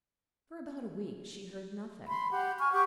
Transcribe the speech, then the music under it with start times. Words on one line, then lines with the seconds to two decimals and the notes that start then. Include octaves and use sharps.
For about a week she heard nothing.
2.07 B5 C6
2.32 G4 F#5
2.58 G#5 C#6 F6
2.71 G4 F#5 C#6